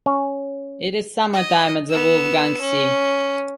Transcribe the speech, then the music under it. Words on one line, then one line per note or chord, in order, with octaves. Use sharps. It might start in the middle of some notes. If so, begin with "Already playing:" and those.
It is summertime at the Wolfgangsee.
C#4
D#5
B3 E6
C#4